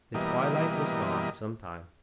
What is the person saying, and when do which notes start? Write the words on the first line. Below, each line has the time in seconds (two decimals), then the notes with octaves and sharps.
The twilight was gone some time.
0.14 B2 E3 G3 A#3 D#5